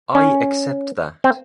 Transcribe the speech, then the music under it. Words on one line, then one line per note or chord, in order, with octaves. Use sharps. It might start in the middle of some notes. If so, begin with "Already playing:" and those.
I accept that.
C#4
C4